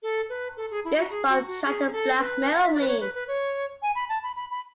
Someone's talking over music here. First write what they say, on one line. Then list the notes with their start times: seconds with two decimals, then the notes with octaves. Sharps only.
This bum tried to blackmail me!
0.03 A4
0.29 B4
0.57 A4
0.71 G#4
0.85 E4
0.98 F#4
1.11 G#4
1.29 F#4
1.47 F#4
1.65 G#4
1.87 G#4
1.92 A4
2.19 B4
2.53 F#5
2.63 E5
2.74 D5
2.81 B4
2.88 C#5
3.01 B4
3.14 B4
3.28 C#5
3.82 G#5
3.95 B5
4.09 A5
4.23 B5
4.36 B5
4.51 B5